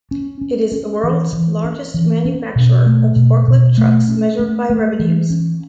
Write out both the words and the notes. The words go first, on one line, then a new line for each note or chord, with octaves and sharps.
It is the world's largest manufacturer of forklift trucks measured by revenues.
C#4
C#4
C#4
E3
E3
C#4
E3
C#4
B2
A3
B2
B2
A3
C#4
A3
A3
E3
C#4